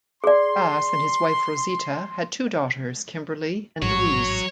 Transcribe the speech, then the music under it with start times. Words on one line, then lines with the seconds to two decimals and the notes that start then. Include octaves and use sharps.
Bass and his wife, Rosita, had two daughters, Kimberly and Louise.
0.24 G#4 D5 C6
3.82 A1 G#2 F#3 C#5 C#6